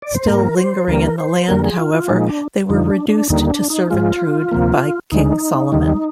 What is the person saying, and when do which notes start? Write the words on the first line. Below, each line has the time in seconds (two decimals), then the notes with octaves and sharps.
Still lingering in the land, however, they were reduced to servitude by King Solomon.
0.02 D5
0.14 C5
0.27 G#2 G3 A#3 A#4
0.57 C5
0.88 D2 D3 G3 A#3 A#4
1.18 C5
1.48 F2 D3 G3 A#3 A#4
1.64 G#4
1.79 F4
1.94 F4
2.09 A#2 F3 G#3 D#4
2.29 D4
2.70 F2 D3 F3 D#4
2.90 D4
3.10 D4
3.30 D#2 D3 G3 A#3 D#4
3.50 D4
3.70 D#4
3.90 G#2 F3 G#3 F4
4.51 D2 C3 F3 A#3
5.12 D2 D3 G#3 D#4
5.72 D#2 D#3 G3